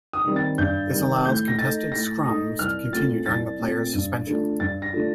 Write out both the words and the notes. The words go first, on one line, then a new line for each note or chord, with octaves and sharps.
This allows contested scrums to continue during the player's suspension.
D#6
D#3 G3 C4
A6
G2 G6
D#3 G3 C4
A2 G6
A#6
A3 D#4 A6
A2 A#6
A3 D#4 D#6
C2 F6
A#2 A3 C4 F4 A6
C2 A6
A#2 A3 C4 F4
G2
D3 A3 D4 F4
G2 A6
A#6
D3 A3 D4 F4